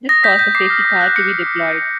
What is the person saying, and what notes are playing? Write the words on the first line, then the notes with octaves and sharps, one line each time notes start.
This caused the safety car to be deployed.
D#6 A#6
G6 B6
G6 B6
D6 C7
F6
D#6
F#6
D6 C#7
F#6
D6